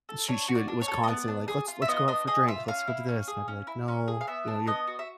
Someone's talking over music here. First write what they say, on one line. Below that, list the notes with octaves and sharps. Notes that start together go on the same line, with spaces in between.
she she would it was constantly like, "Let's let's go out for drink. Let's go do this." And I'd be like, "No, you know, you're
A4
D4 C#5
F#4
D5
D4
C#5
A4
D#5
B3 D5
D4
G#4
F4
E5
B3 D#5
D4 D#5
G#4 D#5
F4 E5
C#4 F5
E4
C#4
G#4
C#4
E4
C#4
G#4
F5
B3 E5
D4
B3 D#5
F#4
E5